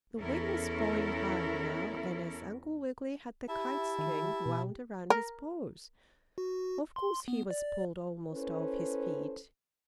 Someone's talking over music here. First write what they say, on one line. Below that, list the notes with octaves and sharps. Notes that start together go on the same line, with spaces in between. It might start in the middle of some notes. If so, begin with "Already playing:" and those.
The wind was blowing hard now, and as Uncle Wiggily had the kite string wound around his paws, of course he was pulled almost off his feet.
E2 C#4 E4 A4 A#4
E4 G4 E5 A5
D#3
B2
A#4
F#4
C6
B3
D5
C#4 E4 A4 B4 C5